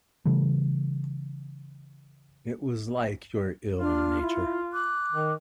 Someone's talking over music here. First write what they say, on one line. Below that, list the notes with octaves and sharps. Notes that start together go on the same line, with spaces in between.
It was like your ill-nature.
C#3 E3 G3 A3
D4 F4 F6
E4
D6 F#6
D#3